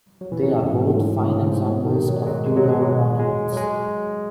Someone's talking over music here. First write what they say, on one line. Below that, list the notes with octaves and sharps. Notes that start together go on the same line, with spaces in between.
They are both fine examples of Tudor monuments.
F#3
E3
F#3
G#2
A2
G#2
A2
G#2
A2
B2
D#3
F#3
G#3
F#3
G#3
F#3
G#3
F#3
G#3
F#3
G#3